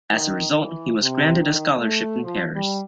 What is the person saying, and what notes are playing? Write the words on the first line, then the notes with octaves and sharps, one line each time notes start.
As a result, he was granted a scholarship in Paris.
D#3
E3
C3
D#3
A3
F3
G3